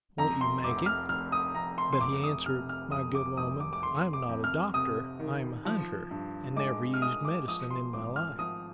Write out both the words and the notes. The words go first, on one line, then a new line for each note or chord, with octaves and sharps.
Won't you make it?" But he answered: "My good woman, I am not a doctor, I am a hunter, and never used medicine in my life.
F2 A#5
C6
F1 D6
F6
F1 F6
D#6
F2 A#5
C6
C6
F1 D6
D#6
C3 F6
F6
F2 D#6
D6
F1 D#6
D6
D6
F1 C6
D6
F2
F6
C3 D#6
D#3
F3
G2
G#3 D6
F6
G#3 D#6
D6
F3 D#6
C6
G#1 D6
F6
F3 D#6